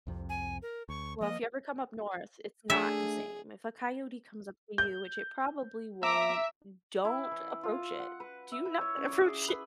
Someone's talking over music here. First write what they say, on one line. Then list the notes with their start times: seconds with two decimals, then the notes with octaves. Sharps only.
Well, if you ever come up north, it's not the same. If a coyote comes up to you, which it probably won't, don't approach it. Do not approach it.
0.07 C2 F2 C3
0.29 G#5
0.62 A#4
0.89 D2 C#6
1.21 F3 A#3 D#5
2.70 A3 D4 G#4 E5
4.78 G6
6.03 E5 A#5 D6
7.05 E4
7.31 E3
7.63 F4
7.99 F#5
8.20 B4
8.52 E5
8.65 E4
8.81 C#5
8.97 C#4
9.08 D5
9.26 G#4
9.48 B4